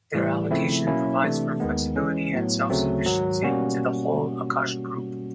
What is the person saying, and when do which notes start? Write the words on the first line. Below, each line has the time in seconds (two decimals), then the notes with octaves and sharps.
Their allocation provides for flexibility and self-sufficiency to the whole Akash Group.
0.14 A2 E3 G3
0.51 C#3 F3 A3 C4 E4
0.87 B2 F#3 A#3 C#4 E4
1.23 C3 E3 A3 D4
1.60 D#2 D#3 G#3 B3
1.96 E3 G#3 C#4
2.33 A2 F#3 B3
2.70 D2 C#3 F#3 A3 C4
3.05 G#2 D#3 F#3
3.42 B2 G3 A#3 C#4 F#4